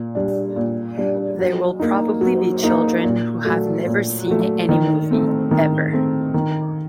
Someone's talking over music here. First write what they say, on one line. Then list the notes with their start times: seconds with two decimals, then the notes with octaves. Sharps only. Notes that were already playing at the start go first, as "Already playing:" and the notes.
They will probably be children who have never seen any movie, ever.
Already playing: A#2
0.15 G3 D4
0.56 A#2
0.98 G3 D4
1.39 F#3
1.80 A#3 D#4
2.21 F#3
2.63 A#3 D#4
3.04 A#2
3.45 F#3 A3
3.87 A#2
4.28 F#3 A3
4.69 D#3
5.11 A3 C4
5.51 D#3
5.93 A3 C4
6.34 D#3